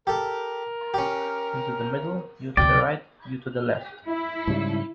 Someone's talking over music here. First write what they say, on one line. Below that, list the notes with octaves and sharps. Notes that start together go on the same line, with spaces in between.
You to the middle, you to the right, you to the left.
G4 A4 A#4
C#4 G4
D2 C3 D5 G5
E4
G#2 C#3 G3